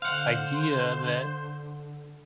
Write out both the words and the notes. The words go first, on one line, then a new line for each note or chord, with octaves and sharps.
idea that
D3 C5 F5 F#5